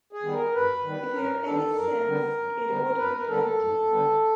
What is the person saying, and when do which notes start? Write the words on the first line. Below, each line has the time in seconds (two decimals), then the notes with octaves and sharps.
If you have any sense it ought to be plenty.
0.13 G#4
0.23 D#3 G3 B3
0.33 A#4
0.54 G2 B4
0.84 D#3 G3 B3
1.14 G2 A#4
1.40 A#4
1.45 D#3 G3 B3 A4
1.75 F#2 A#4
2.05 D3 G3 B3
2.37 F#2
2.67 D3 G3 B3
2.97 F#2 B4
3.12 A#4
3.27 D3 G3 B3 A4
3.36 A#4
3.43 A4
3.58 F#2
3.88 D3 G3 B3